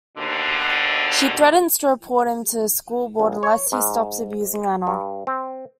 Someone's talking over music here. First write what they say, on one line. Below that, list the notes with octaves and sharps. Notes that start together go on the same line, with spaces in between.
She threatens to report him to the school board unless he stops abusing Anna.
D#2 B2 D3
A#1
C#5
G#2
G2
C4